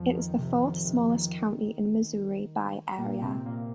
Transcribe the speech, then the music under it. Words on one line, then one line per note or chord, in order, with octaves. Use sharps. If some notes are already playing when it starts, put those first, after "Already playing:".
It is the fourth-smallest county in Missouri by area.
Already playing: F2 F3
D#3
C3
D#3
C3
D#3
A#2 A#3
C3 C4
A#2 A#3